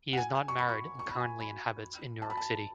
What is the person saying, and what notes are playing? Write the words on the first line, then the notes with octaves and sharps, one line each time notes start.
He is not married and currently inhabits in New York City.
F#5
G#5
C#6
B5
C#6
C#6
B5
G#5
B5
A5
B5
A5